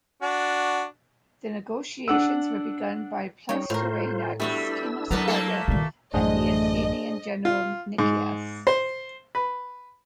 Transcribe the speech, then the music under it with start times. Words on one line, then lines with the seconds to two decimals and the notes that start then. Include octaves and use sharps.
The negotiations were begun by Pleistoanax, King of Sparta, and the Athenian general Nicias.
0.22 D4 F#4
2.08 D4 F#5 E6
3.49 G3 C#4 D#4 C#5 G5
3.70 A2 F4 A#4 C5
4.40 G3 A3 B3 D4 E4 F#4 E6
5.11 F#3 A3 B3 A#4 D5 A#5
5.27 A3 A#3 A4
5.68 A#2 D#3 G3 F4
6.14 A1 F#2 E3 A3 D4 G#4 C5 D#5
7.45 F4
7.98 G#2
8.67 C5
9.35 B4